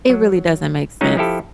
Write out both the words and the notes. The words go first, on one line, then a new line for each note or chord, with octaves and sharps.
It really doesn't make sense.
F#3
F#3 G#3 C#4 D#4
F3 E4 G4 A4